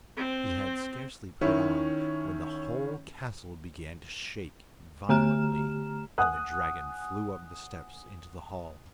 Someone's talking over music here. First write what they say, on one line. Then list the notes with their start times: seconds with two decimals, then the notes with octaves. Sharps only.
He had scarcely put it on, when the whole castle began to shake violently, and the dragon flew up the steps into the hall.
0.17 C4
1.41 D#3 C#4 E4
5.09 D3 A3 G4 A#5 F6 E7
6.18 F#5 G#5 D#6 F#6